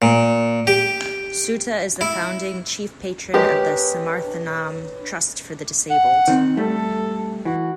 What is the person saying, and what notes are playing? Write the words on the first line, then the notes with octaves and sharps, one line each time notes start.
Soota is the founding chief patron of the Samarthanam Trust for the Disabled.
A#2
G4
E4
G#3 G4 A#4 B4 C#5
F#5
D#3 C4
G3 A3 A4
E3 F#4